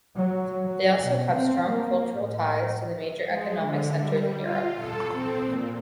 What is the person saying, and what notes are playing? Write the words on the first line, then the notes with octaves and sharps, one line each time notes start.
They also have strong cultural ties to the major economic centers in Europe.
F#3
F#3
B2
C4
A#3
A2
G#3
D3
G3
F4
A4
C4
A#2